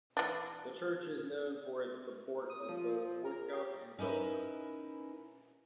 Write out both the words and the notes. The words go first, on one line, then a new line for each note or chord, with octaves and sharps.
The church is known for it support of both Boy Scouts and Girls Scouts.
E3 D4
D#6
F3
A#4
G4
C#4 D#4 E4 A#4 B4